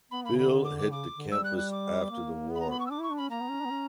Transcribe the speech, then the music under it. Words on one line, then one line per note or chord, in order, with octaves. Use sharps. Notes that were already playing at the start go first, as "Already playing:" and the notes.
Bill hit the campus after the war.
B3 B5
A#3 B5
C#3
D3 B5
D6
D6
C#3 D6
D3
G3 E6
F#6
F#6
D6
A#3
B3 B5
A#5
B5
C#6
E6
D4 D6
E4 C#6
D4
C#4 B5
A#3 A#5
B3
C#4
D4
B3
C#4